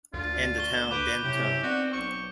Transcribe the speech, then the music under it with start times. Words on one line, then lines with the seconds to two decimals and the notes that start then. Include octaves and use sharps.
And the town, Denton.
0.14 D2 D4 F4
0.58 C#6 G7
0.91 B4 D6 G6 D7
1.24 C3 F#3 C#4 E4 G4
1.63 B3 C4 D#4 F#4 D5
1.93 B1 C#6